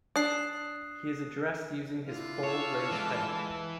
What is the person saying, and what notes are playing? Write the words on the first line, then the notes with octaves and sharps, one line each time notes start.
He is addressed using his full rank title.
D4 D#6 F#6 C7
D3 E4 F4 F6
C#5 A5 E6
E3 G#3